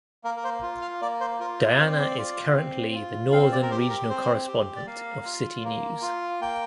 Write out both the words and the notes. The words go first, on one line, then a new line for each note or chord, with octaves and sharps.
Diana is currently the Northern Regional correspondent of Citi News.
A#3 A#4
A#4
C5
F4
F5
A#3 D5
C5
F4 A#4
C5
C4 F5
D5
C5
D5
F4
C4
F4
C4 F5
D5
A#4
G4 C5
A#4
C4 C5
G4
D5
A#3 F5
F4
A#3
F4
A#3 G5